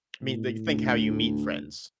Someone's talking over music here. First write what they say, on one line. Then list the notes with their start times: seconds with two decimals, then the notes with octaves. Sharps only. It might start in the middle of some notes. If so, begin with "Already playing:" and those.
Mean, like, think how you meet friends.
0.22 A2
0.67 D2